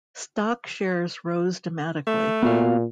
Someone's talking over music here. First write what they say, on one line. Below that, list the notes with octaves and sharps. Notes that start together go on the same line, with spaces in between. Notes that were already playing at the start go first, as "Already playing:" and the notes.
Stock shares rose dramatically.
A3
A#2 B3 F#4 F5